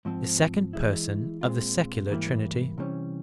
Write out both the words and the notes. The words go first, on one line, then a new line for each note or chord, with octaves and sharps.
The Second Person of the secular Trinity.
G#2 F3 C4
E3 G#3 E4
A#2 G#3 C4 F4
G#2 E3 G3 A#3 E4
C3 E3 G3 C#4